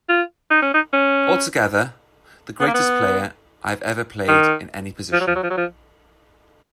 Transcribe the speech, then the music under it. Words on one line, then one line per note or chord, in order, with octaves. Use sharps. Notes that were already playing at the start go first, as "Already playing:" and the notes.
Altogether, the greatest player I've ever played in any position.
F4
D#4
C#4
D#4
C#4
B3
A#3
B3
D#3
F3
F#3
F3
F#3
F3
F#3
F3